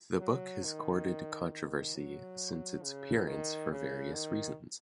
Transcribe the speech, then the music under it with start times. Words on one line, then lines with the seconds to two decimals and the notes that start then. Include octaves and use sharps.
The book has courted controversy since its appearance for various reasons.
0.19 F#3
0.64 D#3
1.51 D#3
1.96 F#3
2.83 C#3
3.27 D#3
3.71 C#3
4.14 D#3